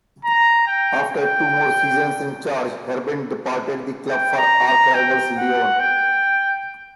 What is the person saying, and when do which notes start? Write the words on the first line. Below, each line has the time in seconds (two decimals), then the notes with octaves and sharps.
After two more seasons in charge, Herbin departed the club for archrivals Lyon.
0.25 A#5
0.67 G5
1.11 G5
4.10 G5
4.37 A#5
4.67 A#5
4.94 G5
5.38 F#5
5.80 G5